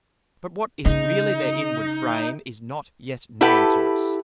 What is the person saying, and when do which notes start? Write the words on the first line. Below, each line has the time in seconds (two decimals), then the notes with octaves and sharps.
But what is really their inward Frame is not yet known to us.
0.86 C#3 D#4
3.41 E4 G4 A4 B4 F#5